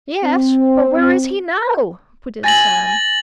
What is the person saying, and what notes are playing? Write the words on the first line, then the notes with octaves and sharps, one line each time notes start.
"Yes; but where is he now?" put in Sam.
C4
G#5 A6 A#6 F#7